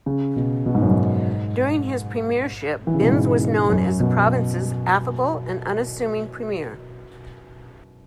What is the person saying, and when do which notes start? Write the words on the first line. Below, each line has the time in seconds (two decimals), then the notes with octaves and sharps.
During his premiership, Binns was known as the province's affable and unassuming premier.
0.06 C#3
0.36 B2
0.66 B2
0.75 G#2
0.82 F#2
0.91 G#2
2.87 E3
2.94 C#3
3.02 B2
3.09 G#2
3.69 F#2
4.00 B2